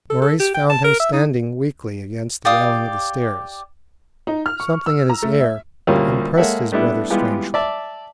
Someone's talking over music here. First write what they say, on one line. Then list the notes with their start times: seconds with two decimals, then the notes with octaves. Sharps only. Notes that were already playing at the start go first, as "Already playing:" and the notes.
Maurice found him standing weakly against the railing of the stairs. Something in his air impressed his brother strangely.
0.10 A4
0.22 A4
0.40 G4
0.54 G5
0.70 A5
0.84 A#4
1.00 E5
1.13 D#4
2.45 G4 D5 F5 D#6
4.27 D#4
4.46 F6
4.60 C#6
4.86 E6
5.10 A#5
5.22 A3
5.41 E5
5.87 D2 A#2 G3 A#3 C#4
6.37 G#3 A#3 A4 C#5 E5 F#5
6.72 G3 A3 B3 D4 E4
7.10 E3 G3 G#3 B3 F4 G4
7.54 D5 E5 A5